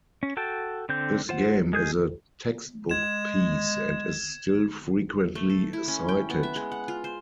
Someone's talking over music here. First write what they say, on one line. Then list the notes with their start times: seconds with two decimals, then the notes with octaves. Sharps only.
This game is a textbook piece and is still frequently cited.
0.23 C#4
0.37 F#4 A4 G5 A5
0.89 D3 C4 G6
1.29 F4 C5 F#5
1.73 G#3 G#4 G6
2.89 G#3 G#6 E7
5.35 A3
5.50 A4
5.73 E4
5.88 C#4
6.09 G5
6.30 B3
6.43 E5
6.56 G#3
6.72 F#5
6.88 F4
7.04 C5